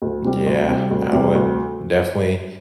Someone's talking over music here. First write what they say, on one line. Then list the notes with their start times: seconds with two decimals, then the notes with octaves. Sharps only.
Yeah, I would definitely
0.02 D2
0.24 C3 G3
0.46 D2
0.68 C3 G3
0.91 D2
1.13 C3 G3
1.35 D2